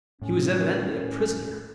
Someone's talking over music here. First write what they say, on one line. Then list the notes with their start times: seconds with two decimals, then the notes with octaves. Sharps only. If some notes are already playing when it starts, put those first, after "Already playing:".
He was evidently a prisoner.
0.22 A2 C#4